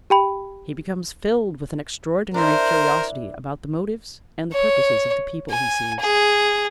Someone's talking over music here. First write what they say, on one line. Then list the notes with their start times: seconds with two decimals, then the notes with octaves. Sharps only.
He becomes filled with an extraordinary curiosity about the motives and purposes of the people he sees.
0.10 G4 G5 B5
2.34 D4 E4 A#4 C5
4.53 C#5
5.50 G#5
6.00 G#4